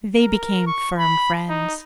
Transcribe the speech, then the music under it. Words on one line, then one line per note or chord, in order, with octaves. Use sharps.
They became firm friends.
A#4
C#6
B5
D#4